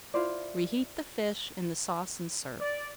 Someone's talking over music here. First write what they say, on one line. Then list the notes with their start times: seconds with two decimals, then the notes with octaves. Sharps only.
Reheat the fish in the sauce and serve.
0.14 E4 F4 C5 D5
2.61 D5